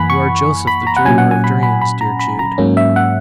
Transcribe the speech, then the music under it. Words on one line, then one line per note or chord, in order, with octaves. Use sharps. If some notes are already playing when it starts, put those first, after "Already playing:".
You are Joseph the dreamer of dreams, dear Jude.
Already playing: F#2 E3 A#3 F#5 G#5 B5
C#6
B5
A#5
F#5
A#2 F#3 C#4 G#5
F#5
G#5
B5
B5
B5
A#5
B5
A#5
G#2 F#3 A#3 C#4
E5
F#5